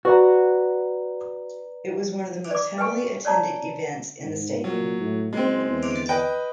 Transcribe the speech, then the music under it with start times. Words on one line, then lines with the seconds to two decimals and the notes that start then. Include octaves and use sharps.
It was one of the most heavily attended events in the stadium.
0.05 F#4 B4 D5 A#5
2.51 D5 D6
2.78 B4 G5 G#5 C#6
3.25 C#5 D5 A5 A#5
4.24 G#2
4.64 A#2 F#3
5.00 A2
5.33 F#1 G#3 C4
5.68 E2
6.09 B4 D#5 G5